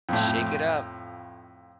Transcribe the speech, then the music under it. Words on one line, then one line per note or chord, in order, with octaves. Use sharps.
Shake it up.
F2 A2